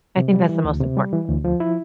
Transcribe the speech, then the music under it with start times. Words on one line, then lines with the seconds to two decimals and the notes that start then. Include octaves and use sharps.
I think that's the most important.
0.17 C3
0.33 G3
0.49 E3
0.64 D2
0.81 C3
0.97 G3
1.13 E3
1.28 D2
1.44 F3
1.60 E4